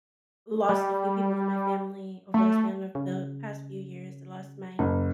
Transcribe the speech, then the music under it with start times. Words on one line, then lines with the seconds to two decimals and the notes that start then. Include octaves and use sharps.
lost a few people in my family over the span of the past few years. I lost my
0.69 G3
2.34 A3
2.95 C#3
4.79 F#1